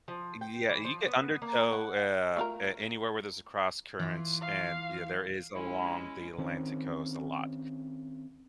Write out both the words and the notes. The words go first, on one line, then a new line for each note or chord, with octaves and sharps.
Yeah, you get undertow, uh, a anywhere where there's a cross current, and there is along the Atlantic Coast a lot.
F3
G5
E3
F3
B3
A#3
F#5
A3 F4 A#4
E3 F4
F5
G#3 C#4 E4
D#3 C4 C#4